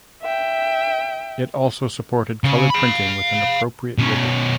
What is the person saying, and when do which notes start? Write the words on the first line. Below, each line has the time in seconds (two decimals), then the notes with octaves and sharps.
It also supported color printing with an appropriate ribbon.
0.22 E5 G5
2.44 C#3
2.70 F5 B5
3.98 B2 C#4